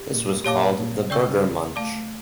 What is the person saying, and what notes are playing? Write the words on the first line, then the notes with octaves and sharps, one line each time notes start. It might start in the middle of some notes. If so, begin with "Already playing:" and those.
This was called the "Burger Munch".
Already playing: G4
A#2
A#2 G4 C#5 F5 A5 D6
A#2
C#3 D5 G5 C#6 E6 G6
A3 D5 F5 A5 D6